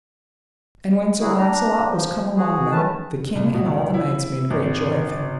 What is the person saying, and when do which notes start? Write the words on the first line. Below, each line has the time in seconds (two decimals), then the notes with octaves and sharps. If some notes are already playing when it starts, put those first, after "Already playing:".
And when Sir Launcelot was come among them, the king and all the knights made great joy of him.
1.21 D3 F#3 E4 F#4 G#4
1.37 D4 A#5
1.84 F3
2.37 F#4 G#4
2.71 D#3 A3 C#4 B4 A5
3.35 C2
3.54 B2
3.66 C#2
3.94 E4
4.50 G#1